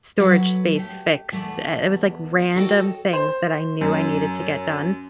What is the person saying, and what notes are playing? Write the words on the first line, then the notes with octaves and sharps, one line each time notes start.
storage space fixed," uh, it was, like, random things that I knew I needed to get done,
F#3 A4 B4 C#5
A3 G4
E2 A3 B3 D5
F#4 A4 C#5 D#5 F5 G5
C5
F#2